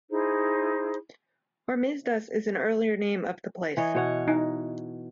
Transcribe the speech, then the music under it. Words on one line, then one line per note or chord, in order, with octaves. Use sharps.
Hormisdas is an earlier name of the place.
D#4 E4 G#4 C5
E3 C#5 D#5
B2 C#5 F#5
D#4